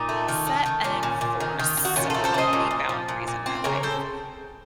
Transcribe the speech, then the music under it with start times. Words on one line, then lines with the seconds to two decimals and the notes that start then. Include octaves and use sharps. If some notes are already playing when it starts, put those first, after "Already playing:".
set and enforce some healthy boundaries in my life.
Already playing: A#2 D#4
0.09 A3
0.28 D#3
0.47 A3
0.66 D#3
0.84 A#2 C#4
1.03 A#2
1.21 A#2
1.40 D#3
1.59 D#3
1.77 D#3
1.85 F#4
1.96 A#2 C#4 F4
2.10 A3 F4 A4
2.24 A4 C5
2.34 C#4 C5 D#5
2.53 A#2
2.71 A#2
2.89 F3
3.09 A#2
3.28 A#2
3.46 C4
3.64 C#3 A#4 C#5
3.83 C#3 A4 C5